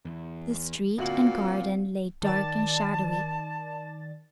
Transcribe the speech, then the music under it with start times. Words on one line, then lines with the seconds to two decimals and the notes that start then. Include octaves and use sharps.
The street and garden lay dark and shadowy.
0.05 E2
0.98 D2 A#2 C4 F#4 F5 F#7
2.22 D#3 D5 A5 A6